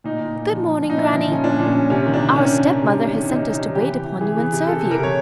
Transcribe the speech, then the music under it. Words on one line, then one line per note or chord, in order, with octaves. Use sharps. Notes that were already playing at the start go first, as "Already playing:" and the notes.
'Good-morning, granny; our step-mother has sent us to wait upon you, and serve you.'
A#2 D#4
A#2
A#2
F3
F3
A#2
D#4
A#2 E4
F3
F3 C#4
A#2 D4
A#2
C#4
A#2
C3 C#4
D#3
D4
C3
D#3 C#4
D#3
D#3
C3
C3
D#3
C3 D#4
D#3
D#4
C3
E3 G4
E3
E3
E3 G#4
E3
C3
C3 A4
C3
A#4
C3 C#5